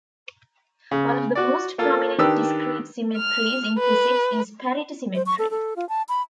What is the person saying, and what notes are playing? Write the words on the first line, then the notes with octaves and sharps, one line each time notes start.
One of the most prominent discrete symmetries in physics is parity symmetry.
C#3
F#4 D5
A#3 F4 A4
D#3 D4 G4 B4 E6
F6
B4
C5
C#6
A4
A4
F4
A5
B5